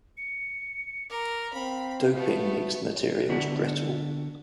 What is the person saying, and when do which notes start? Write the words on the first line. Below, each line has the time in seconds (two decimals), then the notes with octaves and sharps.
Doping makes the materials brittle.
0.17 C#7
1.10 A#4 D6
1.53 C4 F5 B5
2.16 A3 B3 F#4
3.29 D3 B3 F#4 D5 E5 F#5